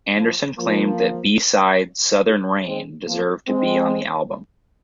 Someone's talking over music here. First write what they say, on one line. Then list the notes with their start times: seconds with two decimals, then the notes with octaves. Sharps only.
Anderson claimed that b-side "Southern Rain" deserved to be on the album.
0.16 F3
0.57 F3 A#3
2.65 G#3 C4
3.06 F3 A#3
3.48 G#3 C4